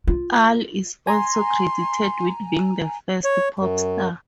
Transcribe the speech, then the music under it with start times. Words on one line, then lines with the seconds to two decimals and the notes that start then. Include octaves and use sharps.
Al is also credited with being the first "pop star".
0.07 F4
1.07 G#5 A#5 C6
3.24 C#5
3.59 F#2